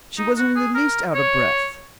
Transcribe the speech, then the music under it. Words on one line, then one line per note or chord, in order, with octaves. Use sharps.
She wasn't in the least out of breath.
D#4
F#4
G#4
A#4
C#5